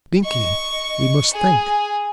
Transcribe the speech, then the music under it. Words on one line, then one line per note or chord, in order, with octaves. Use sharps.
'Binkie, we must think.
D#5 C#6
G#4 G#5